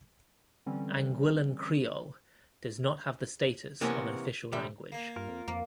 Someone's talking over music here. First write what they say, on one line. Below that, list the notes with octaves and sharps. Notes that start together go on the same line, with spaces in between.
Anguillan Creole does not have the status of an official language.
D3 E3 G3 C4 C#4
C3 E3 A#3 B3 C#4
B1 F2 D3 G3 E5
A#3
G2 F4 A#4
F2
F2 A#3